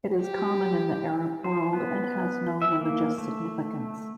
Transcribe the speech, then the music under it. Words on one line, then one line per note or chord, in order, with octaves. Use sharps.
It is common in the Arab world and has no religious significance.
G4
C5
B3
E5
A#3
A3